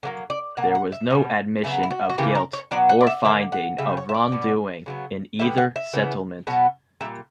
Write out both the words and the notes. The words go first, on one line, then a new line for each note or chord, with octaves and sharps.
There was no admission of guilt or finding of wrongdoing in either settlement.
D3 F#3 A#3
D5
B2 A#3 F#5
F#5
E5
B2 G3 B3
C#3 F#3 B3 E5
E4
F#4
F#4
C#3 E3 A#3 G4
A#4
C#5
B2 F#3 B3 D5
F#5
D5
E5
D3 A#3 E5
F#5
C#3 G3 E5
C#5
E5
D5
B2 G3 B3
C#3 F#3 B3
D3 G3 B3 E5
F#5
E5
C#3 E3 B3
B2 F#3 B3
A#2 G3 E5